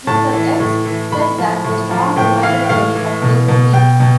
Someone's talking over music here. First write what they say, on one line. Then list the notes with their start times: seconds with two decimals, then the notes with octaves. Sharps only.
Mr. X said that the song reminded him of laser beams.
0.07 A2 A5
0.33 E3
0.60 A2
0.85 E3
1.11 A2 B5
1.38 F3
1.64 A2
1.91 F3
2.16 A2 G5
2.43 E3 F5
2.63 G5
2.69 A2 F5
2.95 E3
3.22 B2
3.48 B2
3.73 B2 G5
4.00 B2